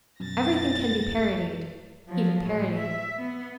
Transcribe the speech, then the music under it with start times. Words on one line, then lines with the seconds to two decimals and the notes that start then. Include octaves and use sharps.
Everything can be parodied, even parody.
0.20 F#2 B2 A6 A#6
2.08 F3 F#3
2.46 A2 F#3
2.76 E5
3.19 B3